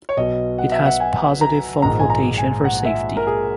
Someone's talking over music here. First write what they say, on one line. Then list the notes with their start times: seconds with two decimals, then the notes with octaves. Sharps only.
It has positive foam flotation for safety.
0.09 C#5
0.17 B1 B2 F#3 D#5
0.58 F#5
0.72 E5
0.86 F#5
1.00 G#5
1.41 A#5
1.82 A#1 G#2 D#3 G#3 A#5
1.99 G#5
2.10 A#5
2.38 G#5
2.65 F#5
2.86 E5
3.17 A#4
3.27 G#4